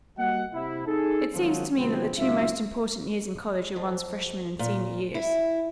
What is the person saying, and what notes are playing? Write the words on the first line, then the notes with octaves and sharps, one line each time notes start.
It seems to me that the two most important years in college are one's freshman and senior years.
G3 A#3 F#4 D#5 F#5
C3 E4
D#4 G#4 A4
G#1 F#2 F3 F#3
B2 D3 F3 G#3 B3 C4
C#2 F#2 B2 D#4 F4 E5
F2
A#2
E4